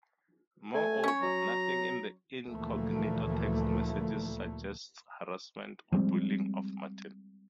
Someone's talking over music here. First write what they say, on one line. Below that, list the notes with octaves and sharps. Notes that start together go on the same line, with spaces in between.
Moreover, nothing in the Incognito text messages suggests harassment or bullying of Martin.
A3 G#5
C#4 C#5
F#3 A#5
D2 A#2 E3 F3 A3 A#3
F3 G3 G#3 C4